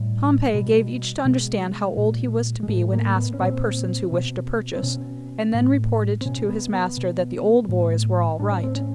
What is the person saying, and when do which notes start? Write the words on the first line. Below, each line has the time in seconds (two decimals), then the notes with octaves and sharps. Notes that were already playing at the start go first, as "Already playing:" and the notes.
Pompey gave each to understand how old he was to be when asked by persons who wished to purchase, and then reported to his master that the "old boys" were all right.
Already playing: A2 G3
0.54 B2
1.25 B2 G#3
1.97 A#2
2.63 G#3
2.68 A2 A3
2.93 A#3
3.16 B3
3.34 C#4
3.40 A#2 C4
4.12 B2
4.76 C4
4.83 B2 C#4
5.54 A2
6.21 C4
6.25 B2 C#4
6.49 B3
6.73 B3
6.97 B2
7.69 A2
8.40 A2 D4
8.51 C#4
8.63 C4
8.76 C#4